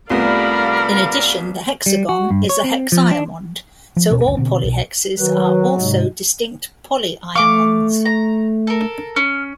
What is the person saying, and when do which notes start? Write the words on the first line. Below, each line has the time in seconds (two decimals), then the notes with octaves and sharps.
In addition, the hexagon is a hexiamond, so all polyhexes are also distinct polyiamonds.
0.10 C2 A3 B3 F4 A#4 D5 F5 B5
1.86 G3
2.09 F#4
2.31 G2
2.49 C#5
2.64 C4
2.92 F3
3.11 D4
3.96 F3
4.10 D1 B2 C#4
4.24 G1 D2
4.37 B2 D3 C4
4.63 B1 B2
5.18 D#3 F#3 B4
5.78 G#2 C3 G#3
7.35 A3 F5 C#6 D6
8.05 A#5
8.67 A4 A#4
9.16 C#4 F6